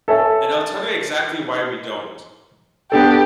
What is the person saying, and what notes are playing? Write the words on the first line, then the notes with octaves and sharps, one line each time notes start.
And I'll tell you exactly why we don't.
A4 C#5 E5 G#5
B3 D4 G4 A4